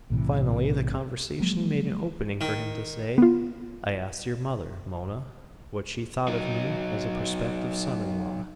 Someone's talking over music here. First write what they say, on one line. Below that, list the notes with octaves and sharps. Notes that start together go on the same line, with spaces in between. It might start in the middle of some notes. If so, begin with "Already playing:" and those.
Finally the conversation made an opening for him to say, "I asked your mother, Mona, what she thought of me as a prospective son-in-law."
B1 A2 C3 E3
F3 F#3 G#3 A#3
D#3
B3 F4
F#3 D#4